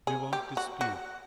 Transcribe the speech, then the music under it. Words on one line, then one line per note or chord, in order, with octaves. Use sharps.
We won't dispute.
G#4
G4
F#4
F#4